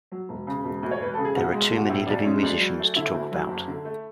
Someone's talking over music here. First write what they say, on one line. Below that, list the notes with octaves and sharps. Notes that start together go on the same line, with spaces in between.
There are too many living musicians to talk about.
F#3
E1
C#3
E1
D2
C#5
E1 B4
C#3 A4
G#4
B1 F#4
G#3
B1
F#4
A2 E4
B1 D4
G#3 C#4
D2 D4
F#3
A3
D3 E4
D2
F#3
F#1
D3
A3